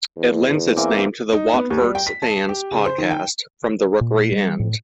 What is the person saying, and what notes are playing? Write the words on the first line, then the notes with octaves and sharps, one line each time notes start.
It lends its name to the Watford fans' podcast, "From The Rookery End".
E2
E3 A#3 C4
D#4
B3
D#2
G3
G5
B6
A5
G4
C#3
C5
D#3
G5
A#2
G3
A2